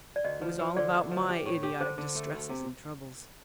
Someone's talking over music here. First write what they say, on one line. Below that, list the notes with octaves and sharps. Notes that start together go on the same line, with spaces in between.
It was all about my idiotic distresses and troubles.
D5
D2 D#5
F3
F3
D3 D5
D2
F3
G4
A2
G4
D3 C5
D3
A3
D2
C3